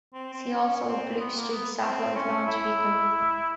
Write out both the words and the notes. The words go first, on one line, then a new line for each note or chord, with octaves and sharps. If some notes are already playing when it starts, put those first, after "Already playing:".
See also Blue Streak Satellite Launch Vehicle.
C4
C4
C#4
C4
B3
A#3
B3
C4
C#4
E4